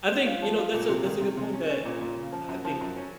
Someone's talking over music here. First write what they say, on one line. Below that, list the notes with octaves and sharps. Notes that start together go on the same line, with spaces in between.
I think, you know, that's a that's a good point that m I think
C4
F4
F3
F4
A#2
C3
D#3
C3
C3
C#4
C#4
A#2
A#2
C#3
F3
F#2
F3
F#2
C#4